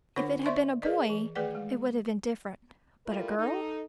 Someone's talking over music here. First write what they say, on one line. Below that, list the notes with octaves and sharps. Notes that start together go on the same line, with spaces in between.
If it had been a boy, it would have been different--but a girl!
D3 D4 F4 A#4 C#5 F#5
C5 D5 E5 C6 C#6
G#4 A#4 B4 D5 D#5
E3
D#3 A3 G#4 B4 D5 F#5
G#3
G3 E4 F4 A4 A#4
D#4 A4